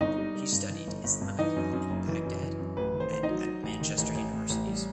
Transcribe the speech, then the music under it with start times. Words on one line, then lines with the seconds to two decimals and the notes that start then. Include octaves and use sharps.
He studied Islamic law in Baghdad and at Manchester Universities.
0.01 G1 D#4 D#5
0.18 G3
0.35 G3
0.52 G2
0.70 E3
0.87 G1
1.04 G1
1.22 G2
1.39 E3 D#4 D#5
1.56 F#2
1.73 F#2
1.90 F#1
2.08 E3
2.25 F#2
2.43 E3
2.59 F#2
2.77 A1 B4
2.94 D#3
3.00 C5
3.12 A1 C5
3.23 D#4 D#5
3.29 F#3
3.46 F#3
3.63 A1
3.81 D#3
3.98 A1
4.15 A1
4.33 A2
4.50 A1
4.67 G3